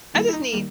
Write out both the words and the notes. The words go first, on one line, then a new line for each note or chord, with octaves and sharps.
I just need
D#3 G3 A#3 E4
E4
D#4
D#3 G3 A#3